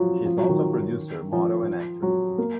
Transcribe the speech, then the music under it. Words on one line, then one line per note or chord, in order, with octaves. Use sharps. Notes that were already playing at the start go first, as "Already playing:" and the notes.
She is also a producer, model and actress.
Already playing: F3 F#3
F3
F#3
D#3
F3
F#3
A#3